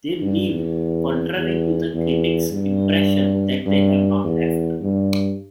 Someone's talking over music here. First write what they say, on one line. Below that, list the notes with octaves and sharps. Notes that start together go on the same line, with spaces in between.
They leave, contrary to the critics' impression that they have not left.
G2
E2
E2
E2
G2
G2
E2
G2